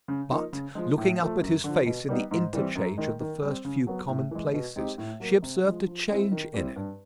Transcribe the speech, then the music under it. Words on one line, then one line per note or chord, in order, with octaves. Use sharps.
But, looking up at his face in the interchange of the first few common-places, she observed a change in it.
C#3
F3 A#3 D#4
C#3
F3 G#3
A2
F3 A3
F#2
D3 F3
B2
G3 B3 D#4
G#2
E3 G3 C4
F#2
D#3 G#3
D#3
G3 C4
C#3
F#3 B3
A2
E3 G#3
B2
G#3 C4 D#4 G4
A2
F#3 A#3
C3
F3 G#3
F3
G#3 C4 E4
D#3
G3 C4 E4
G2